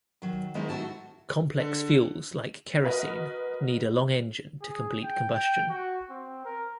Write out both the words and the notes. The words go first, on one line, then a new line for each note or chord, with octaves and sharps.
Complex fuels like kerosene need a long engine to complete combustion.
D#3 F#3
D#3 G#3 B3 D#4 E4 C5
A3 D#4 E4 F#4 A5
D3
F#4 A#4 B4 D#5
G#4
G5
G5
F#4
C4
A#4